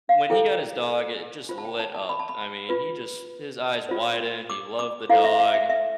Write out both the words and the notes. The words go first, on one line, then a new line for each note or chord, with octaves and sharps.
when he got his dog, i it just lit up, I mean, he just his eyes widened, he loved the dog,
F5
E4 A4 C5 G5
F4 C5
A5
G5
A5
A5
B5
A5
B5
F4 B4
F4 C5
D6
D6
E4 A4 C5 F5
E5
F5
E5
E5